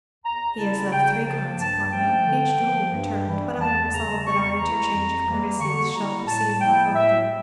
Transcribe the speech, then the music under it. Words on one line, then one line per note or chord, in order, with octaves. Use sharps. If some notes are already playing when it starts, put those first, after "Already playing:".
He has left three cards upon me, each duly returned; but I am resolved that our inter-change of courtesies shall proceed no farther.
E2 A#5
C#3 G3 C#4 E4 A5
C#3 G5
F3 A#3 A5
G2 A5
F3 A3 C#4 G5
D3
F3 A#3
G2
E3 G3
E2 A5
C#3 G3 A#5
E2 C#6
E3 A3 E4 A#5
F2
E3 G3 A#3
D3 C#6
G3 A#3 E4 A#5
A2 A5
F3 A#3 E4 G5
A2 E5